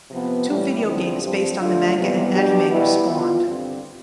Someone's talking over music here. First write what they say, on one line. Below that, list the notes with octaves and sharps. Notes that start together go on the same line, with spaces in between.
Two video games based on the manga and anime were spawned.
C3 F3 B3
A2 E3 G3
E2 D3 F3 C4 E4
G2 F3 C4 G4
D3 A3 D4 F4
C3 E3 G3 B3
B2 G3 D4 G4
B2 G3 B3 E4
B2 B3 F4
G2 D3 G3 C4